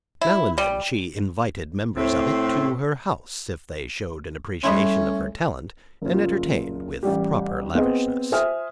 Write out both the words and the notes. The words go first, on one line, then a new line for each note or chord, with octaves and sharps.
Now and then she invited members of it to her house if they showed an appreciation of her talent and entertained with proper lavishness.
E4
G3
A2 C4
G3 A3 C#4 E4 B5 C6
F#1 A#2
A1 G3 G4
B3 C4 G#4 D#5
C5 E5 G#5 D#6 F6